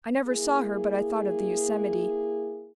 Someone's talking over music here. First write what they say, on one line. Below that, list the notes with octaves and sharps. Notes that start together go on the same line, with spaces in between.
I never saw her but I thought of the Yosemite.
A#3 E4 G#4